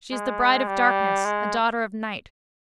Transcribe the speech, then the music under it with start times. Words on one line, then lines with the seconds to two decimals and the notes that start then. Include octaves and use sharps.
She is the bride of darkness, a daughter of night.
0.12 G#3
0.67 G3
1.25 G#3